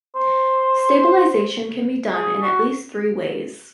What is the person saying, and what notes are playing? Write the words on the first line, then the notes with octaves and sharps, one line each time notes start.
Stabilization can be done in at least three ways.
C5
G#4
F#4